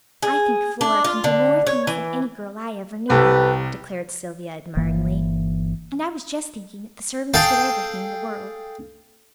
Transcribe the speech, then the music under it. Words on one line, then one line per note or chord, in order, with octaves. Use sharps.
"I think Flora can do more things than any girl I ever knew," declared Sylvia admiringly; "and I was just thinking that the servants did everything in the world."
G#4
D4
F4
D3
C#5
E3
C2 G4 A4 B4
G1 E3 A#3
G#4 A4 F5 G5